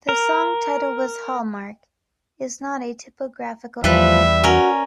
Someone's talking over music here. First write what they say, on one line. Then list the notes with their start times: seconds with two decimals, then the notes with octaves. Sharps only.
The song title "hHallmark" is not a typographical error.
0.09 A#4
3.84 E2 F3 G3 B4 E5
4.44 C#4 F#4 A#4